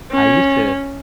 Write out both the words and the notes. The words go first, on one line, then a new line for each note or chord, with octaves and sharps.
I used to
C#4